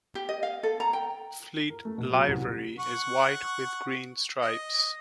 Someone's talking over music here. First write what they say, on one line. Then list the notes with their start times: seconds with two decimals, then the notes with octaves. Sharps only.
Fleet livery is white with green stripes.
0.15 G4
0.29 D#5
0.43 F5
0.63 A4
0.80 A#5
0.93 G5
1.70 A#4
1.85 A3
1.98 B2
2.10 F#3
2.28 C2
2.79 F#5 C#6
4.42 D#5